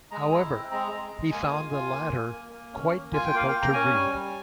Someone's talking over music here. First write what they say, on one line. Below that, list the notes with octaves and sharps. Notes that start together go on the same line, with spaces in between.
However, he found the latter "quite difficult to read".
G#3 A#5
E4
C4
G#3 A#5
G#3
G#3
A#3 G#5
F4
F4
A#3
A#3
A#3
A#3
C#4
A#3
F4 G#5
G5
A#3 F5
G5
A#3
A#5
C#4 G#5
G3
G3